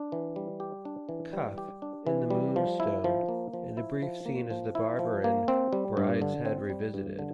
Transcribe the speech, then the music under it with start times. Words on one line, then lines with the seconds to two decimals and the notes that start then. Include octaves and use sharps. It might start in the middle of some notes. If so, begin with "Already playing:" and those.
Cuff in "The Moonstone" and a brief scene as the barber in "Brideshead Revisited".
Already playing: D4
0.12 E3
0.36 G3
0.60 G4
0.85 D4
1.09 E3
1.33 G3
1.58 G4
1.82 D4
2.07 E3
2.30 G3
2.56 F3
2.80 E4
3.04 F3
3.28 A#3
3.53 F3
3.77 E4
4.02 F3
4.26 A#3
4.50 F3
4.75 E4
4.99 F3
5.24 A#3
5.48 C4
5.73 G3
5.97 G2
6.22 D3
6.45 C4
6.70 G3
6.94 G2
7.19 D3